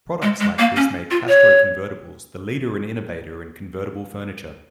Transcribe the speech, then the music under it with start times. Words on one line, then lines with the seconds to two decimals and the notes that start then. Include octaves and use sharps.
Products like this made Castro Convertibles the leader and innovator in convertible furniture.
0.22 G#3
0.40 G#3
0.59 A#3
0.76 C#4
1.11 F4
1.28 C#5